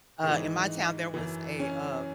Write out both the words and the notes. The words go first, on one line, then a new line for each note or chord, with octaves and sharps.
uh, in my town there was a, uh,
G#2 D#3 E3 D#4
F#2 E3
C#4